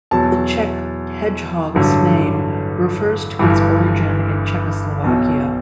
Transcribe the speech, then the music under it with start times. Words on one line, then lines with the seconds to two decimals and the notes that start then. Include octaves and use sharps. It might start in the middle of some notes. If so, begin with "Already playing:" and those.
The Czech hedgehog's name refers to its origin in Czechoslovakia.
0.11 E2 B2 F#3 A5
1.75 A1 G2 D3 F#3
3.39 G1 G2 E3
5.04 B1 B2 F#3